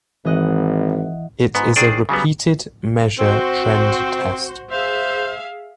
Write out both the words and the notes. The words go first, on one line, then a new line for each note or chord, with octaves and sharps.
It is a repeated measure trend test.
G#1 E3 D#5 F#5
G#2 B3
D#3 D4 G#4 C5 D5
C#3 F#3 G3 B3
C4 F#4 C5
G#4 C5 E5 F5